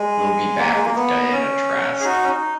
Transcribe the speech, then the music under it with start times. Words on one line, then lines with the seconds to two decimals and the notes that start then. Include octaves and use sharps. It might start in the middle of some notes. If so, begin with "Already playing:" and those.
We'll be back with Diana Trask.
Already playing: G#3
0.59 A#3
0.74 G#3
0.86 A#3
0.96 B3
1.32 C#4
2.00 G#4
2.04 D#4 F#4
2.24 C#4
2.29 D#4